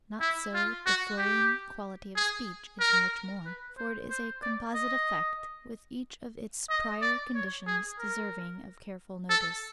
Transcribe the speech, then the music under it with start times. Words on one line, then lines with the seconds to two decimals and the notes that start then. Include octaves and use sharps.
Not so--the flowing quality of speech is much more, for it is a composite effect, with each of its prior conditions deserving of careful notice.
0.20 E4
0.54 F4
0.86 F#4
1.18 G4
2.16 G#4
2.80 A#4
3.45 B4
3.78 C5
4.10 C5
4.42 D5
4.74 D#5
6.69 D#5
7.01 D5
7.35 C#5
7.67 G#4
7.99 A#4
9.29 A4